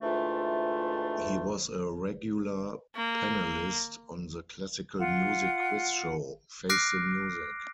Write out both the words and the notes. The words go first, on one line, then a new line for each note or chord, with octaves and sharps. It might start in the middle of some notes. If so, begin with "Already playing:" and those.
He was a regular panellist on the classical music quiz show "Face the Music".
D2 G#2 E3 A3 D4 F4
A#3
F4 F#5
D6 F6 F#6 A#6 C7 D7